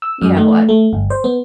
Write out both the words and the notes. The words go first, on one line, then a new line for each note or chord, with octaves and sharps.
you know, uh,
E6
F#2
A3
A3
G1
C5
B3